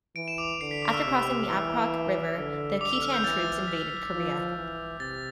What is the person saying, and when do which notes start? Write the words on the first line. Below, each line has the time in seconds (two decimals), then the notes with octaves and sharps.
After crossing the Aprok River, the Khitan troops invaded Korea.
0.16 E3 D7
0.28 E7
0.38 D6 D7
0.60 D3 C7
0.71 B6
0.82 D6
0.88 F6
0.93 E6
1.05 C3
1.48 E3 E6
2.36 D3
2.80 D3 D6
2.91 E6
3.02 F6
3.14 G6
3.24 E3 A6
3.68 B6
4.12 F3
4.56 E3
5.00 C3 A6